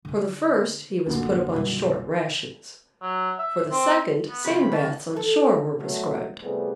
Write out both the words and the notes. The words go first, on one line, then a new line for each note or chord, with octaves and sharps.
For the first he was put upon short rations; for the second, sand baths on shore were prescribed.
D3 D#4
D1 F#2 A#2 D3
B1 G3
F#3
E5
C4
B3
F2 A2 C3 B5
F#2 D#3 A5
A4
B2 F#3 G3 A3
A1 C3 G3 A3 B3 G#4